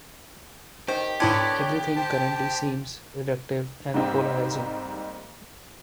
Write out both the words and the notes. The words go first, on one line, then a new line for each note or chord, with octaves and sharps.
Everything currently seems reductive and polarising.
D#3 G4 C5
G#2 D3 A#3 B3 E4 C#5 D5 G#6
C5 G5 A5
G#2 G3 A#3 C4 D#4 G4